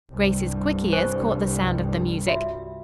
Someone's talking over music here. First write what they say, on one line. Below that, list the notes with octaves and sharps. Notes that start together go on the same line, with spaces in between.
Grace's quick ears caught the sound of the music.
C2 G2
C5 G#5 C#6
F4 F#4 E5